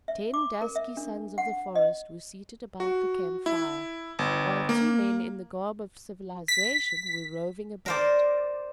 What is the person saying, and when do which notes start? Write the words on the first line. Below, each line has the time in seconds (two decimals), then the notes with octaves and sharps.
Ten dusky sons of the forest were seated about the camp fire, while two men in the garb of civilization were roving about.
0.08 E5
0.34 D6
0.62 A#4
0.76 E5
0.97 D4
1.38 F#5
1.76 D#5
2.80 F#4
3.46 E4
4.19 G1
4.69 A#3
6.48 B6
7.86 A#4 C5 D5